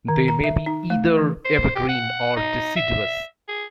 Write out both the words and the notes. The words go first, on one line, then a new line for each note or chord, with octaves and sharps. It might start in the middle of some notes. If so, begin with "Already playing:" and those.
They may be either evergreen or deciduous.
D#3
A#5
E5
D#4
A3
E3
C5
G4
F#5
D#4
E5
G#4